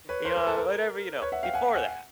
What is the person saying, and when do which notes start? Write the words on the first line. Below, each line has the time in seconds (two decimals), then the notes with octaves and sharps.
you know, whatever you know, before that,
0.09 B4 C#5
0.25 A#4 C5
0.36 A#4
0.47 A4
0.58 A#4
1.22 B4 C#5
1.32 E5 F#5
1.43 F5 G5
1.54 F#5 G#5
1.75 F#5 G#5